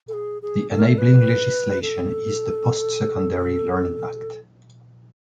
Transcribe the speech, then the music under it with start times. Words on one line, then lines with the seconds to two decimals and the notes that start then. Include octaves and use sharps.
The enabling legislation is the "Post-secondary Learning Act".
0.08 A4
0.13 G#4
0.42 G#4
0.70 A4
0.79 A#4
0.88 A4
0.98 B4
1.82 A4